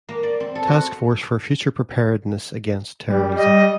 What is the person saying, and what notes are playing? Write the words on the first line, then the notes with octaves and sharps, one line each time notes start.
Task Force for Future Preparedness Against Terrorism.
A#3
D5
C4
A4
F#4
G3
D#5